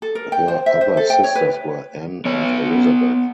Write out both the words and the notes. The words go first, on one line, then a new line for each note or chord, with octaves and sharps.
Her other sisters were Anne and Elizabeth.
A4
A#4
G5
C5
E5
C5
A4
G5
C#5
B4
B3 C#5